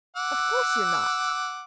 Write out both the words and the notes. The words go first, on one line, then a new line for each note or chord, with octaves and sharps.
Of course you're not.
F#5 D6 E6